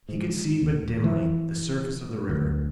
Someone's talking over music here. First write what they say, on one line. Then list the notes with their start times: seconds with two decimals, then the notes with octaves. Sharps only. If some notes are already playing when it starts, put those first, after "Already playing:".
He could see but dimly the surface of the river.
0.09 G#2
0.62 D#2
1.04 E3
2.29 D2